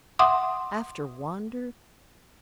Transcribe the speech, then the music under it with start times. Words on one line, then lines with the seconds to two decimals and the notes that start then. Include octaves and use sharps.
After Wander?
0.19 E5 F#5 C6 D6 D#6